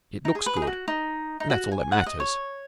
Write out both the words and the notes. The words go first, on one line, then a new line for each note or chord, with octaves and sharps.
It looks good, and that's all that matters.
D#4
G#4
B4
G#4
D#4
F#4
D#4
D#4
F#4
G#5
F#5
D#5
C#5